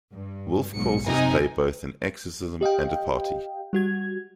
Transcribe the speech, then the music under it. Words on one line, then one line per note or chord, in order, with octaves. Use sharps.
Wolfe calls his play both, 'an exorcism and a party.
G2
B1 G#2 C#7
F#2 C3 D#4 G#5
G4 D#5 F5 G5
G3 F#4 G#6